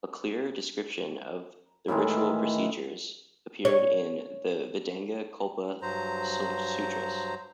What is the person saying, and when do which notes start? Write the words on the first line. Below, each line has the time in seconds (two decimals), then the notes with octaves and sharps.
A clearer description of the ritual procedures appeared in the Vedanga Kalpa-sutras.
1.88 A2 D#3 E3 G#3
3.65 C#5
5.82 G2 F#3 C5 A#5